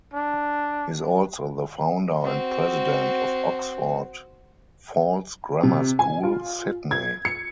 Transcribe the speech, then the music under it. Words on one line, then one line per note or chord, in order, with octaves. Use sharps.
He is also the founder and president of Oxford Falls Grammar School, Sydney.
D4
C4 F#4
C3
G#5
F4
G#6
C#7